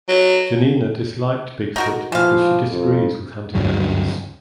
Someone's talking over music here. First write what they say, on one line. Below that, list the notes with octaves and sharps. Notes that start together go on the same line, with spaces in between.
Janina disliked Big Foot because she disagrees with hunting animals.
F#3
D#4 F#4 A#4
E3 F3 F5
F2
D2 G2 C#3 F#3